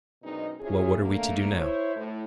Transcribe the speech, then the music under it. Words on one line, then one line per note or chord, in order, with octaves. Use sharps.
Well, what are we to do now?
F#2 B2 G#3 C4 D4 D#4
C3 C#4 E4 F4 G#4
D3 A3 A#3
E4 C5 C#5
A2